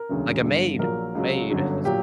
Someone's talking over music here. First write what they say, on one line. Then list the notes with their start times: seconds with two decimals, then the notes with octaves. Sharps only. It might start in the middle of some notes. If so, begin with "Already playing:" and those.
Like a maid a maid, uh, that's, um
Already playing: A#4
0.09 E1 D2 C#3 F#3
0.44 G1 G2 D3
0.79 A#1 A#2 F#3 A#4
1.15 C#2 C#3 F#3
1.50 G1 F#2 D3 F#3
1.85 A#2 F#3 G4